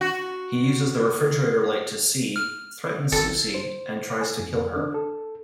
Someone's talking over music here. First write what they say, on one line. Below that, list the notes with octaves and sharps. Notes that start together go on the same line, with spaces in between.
He uses the refrigerator light to see, threatens Susy, and tries to kill her.
F#4
F6
G#1 A4
C5
G#5
F2
D4
A4